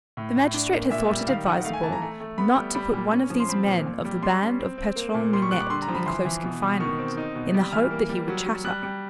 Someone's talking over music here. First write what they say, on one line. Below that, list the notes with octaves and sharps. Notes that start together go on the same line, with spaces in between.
The magistrate had thought it advisable not to put one of these men of the band of Patron Minette in close confinement, in the hope that he would chatter.
A2
A2
D4
A#3
A#2 E5
G3
D#3 F5
D#3 F#5
A3 F5
G#5
E3 A5
A#5
A3
A3
B3 B5
G3
G3 B5
A#2
C#4
F3
C6
C4 B5
A#2
A#2
G3
G3 C6
C#4
C4
C4
A#3
A#2
G3 C6
C#6
G3 F#6
D6
D3 C6
A#5
F3
B5
E3 C6
E3
B2
B2
D#3 C#6
C4
D#4
B2
G3
E3 F6
A#3
G3
F#3
F#3
G3 F#6
G3